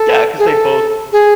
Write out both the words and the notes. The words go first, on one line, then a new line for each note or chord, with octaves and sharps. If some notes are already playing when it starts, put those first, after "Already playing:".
Yeah, 'cause they both
Already playing: A4
G#4
A4
G#4